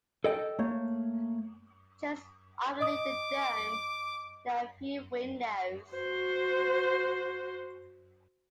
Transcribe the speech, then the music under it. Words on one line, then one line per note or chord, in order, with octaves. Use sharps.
Just underneath the dome there are a few windows.
A4 D#5 G5
A3 A#3 C#5
D#5 D6 D#6
F#4 C5